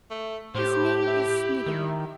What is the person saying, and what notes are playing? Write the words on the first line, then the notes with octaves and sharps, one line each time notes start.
His name is Snegiryov.
A3
A2 G4 C5
E4
D#3